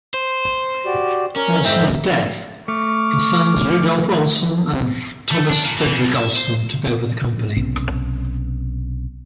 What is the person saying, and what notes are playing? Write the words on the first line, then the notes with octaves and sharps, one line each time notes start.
Olsen's death, his sons Rudolf Olsen and Thomas Fredrik Olsen took over the company.
C5
F#4 G4 D5
C#4 A#4 C#5
F2 G#2 C4 E5 G6
A3 C#6 D6 F6
A3
D4
A#2
E3
C#3
B1
E5
C5
B1 C3 B3 C#4